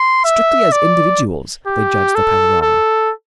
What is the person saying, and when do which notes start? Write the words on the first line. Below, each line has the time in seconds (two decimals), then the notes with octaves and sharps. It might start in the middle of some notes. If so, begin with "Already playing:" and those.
Strictly as individuals they judge the panorama.
Already playing: C6
0.24 E5
0.72 D5
1.67 G4
2.15 A4
2.62 A4